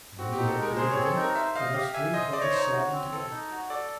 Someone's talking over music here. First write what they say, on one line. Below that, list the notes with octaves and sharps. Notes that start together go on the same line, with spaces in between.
And when we have delivered them, let us three hold us sadly together.
C4 F#4
D#4 G4
A4
G#3 A#4
G#4 C5
C#5
C4
A4
D#4 A#4
C5 E5
D#5 F5
G4 F5
E5 G#5
C5 D#5
D5 D#5
C#5
D#4 C5
C#5
F#4
C4
A4
D#4
F#4
A4 D5